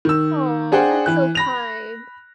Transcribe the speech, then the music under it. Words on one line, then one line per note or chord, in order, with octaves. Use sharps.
Aw, that's so kind.
D#3 E6
D4 G#4 C5 F#5 G5
E3 F#6
B5 A#6 F7